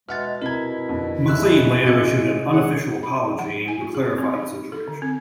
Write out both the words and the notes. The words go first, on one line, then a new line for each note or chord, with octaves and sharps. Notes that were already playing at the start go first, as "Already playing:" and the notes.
MacLean later issued an unofficial apology aimed to clarify the situation.
B2 G#3 E5 F#5 F6 A6
C3 E4 A#4 A#5 G#6
F2 D3
G#3 E5 E6 F#6
A1 C3 G#6 C#7
G#3 C#4 F#5
B5
F#5
G#5
F4
G#4
C4
D#4
A4
D3
C4